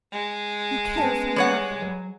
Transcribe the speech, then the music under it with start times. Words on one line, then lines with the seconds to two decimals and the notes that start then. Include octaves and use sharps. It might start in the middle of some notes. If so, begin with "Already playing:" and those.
You care for nothing.
0.12 G#3
0.97 B3 C#4 A5
1.36 G3 C#5 F#5
1.82 F#3